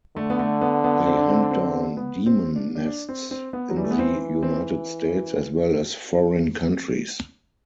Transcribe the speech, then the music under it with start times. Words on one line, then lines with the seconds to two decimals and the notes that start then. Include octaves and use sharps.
They hunt down demon nests in the United States, as well as foreign countries.
0.16 D3 A3
0.30 B3
0.39 A3
0.61 B3
0.84 B3
1.07 C4
1.17 D4
1.28 C4
1.43 D4
1.51 C4
1.97 B3
2.26 C4
2.56 D4
2.75 D4
2.86 D4
3.09 C4
3.31 C4
3.53 B3
3.70 F#3
3.76 E3 G3
3.84 A3
3.91 B3
3.99 C4
4.43 C4